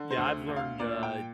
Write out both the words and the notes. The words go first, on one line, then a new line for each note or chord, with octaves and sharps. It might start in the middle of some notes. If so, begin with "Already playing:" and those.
Yeah, I've learned, uh,
Already playing: D3
C5
D2
D2
F5
A#2 D5
G5